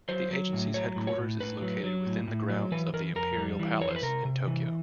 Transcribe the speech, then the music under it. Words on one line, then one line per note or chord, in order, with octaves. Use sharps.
The agency's headquarters is located within the grounds of the Imperial Palace in Tokyo.
F#3 C5
F#3
A2
F#3 C#5
A2
C#5
A2
A2 B4
F#3
F#3
A2
A2
F#3
E3 B4
E3 A#4
F2 A#4
G3
E3
F2 C#5
C5
B4
C3 A#4
C3
E3